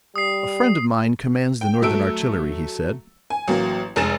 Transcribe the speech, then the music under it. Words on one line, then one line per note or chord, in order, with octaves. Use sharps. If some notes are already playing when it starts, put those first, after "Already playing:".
"A friend of mine commands the Northern artillery," he said.
G3 D#6 C7
G5
F#3 A3 E6 D7
G#5
A1 F#3 A#3
F1 G#3 G#5 A#5 A6 E7